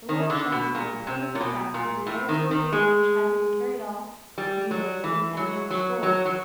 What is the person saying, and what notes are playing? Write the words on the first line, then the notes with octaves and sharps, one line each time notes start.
The Lord Chancellor proved the fact that the heir to a peerage had been carried off, mutilated, and then restored.
D#3
D3
B2
A#2
C3
A#2
B2
A#2
A2
D#3
D#3
G#3
G3
F#3
E3
F#3
F#3
F#3
F#3